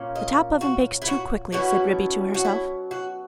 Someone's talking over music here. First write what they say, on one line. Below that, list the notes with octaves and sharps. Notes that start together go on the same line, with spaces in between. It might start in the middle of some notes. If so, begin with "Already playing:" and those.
"The top oven bakes too quickly," said Ribby to herself.
Already playing: A#2 A#3 C#4
D#5
F#4
E4
F#4
B2 F#3 C#4 E4 F#4
F#4
E4
F#4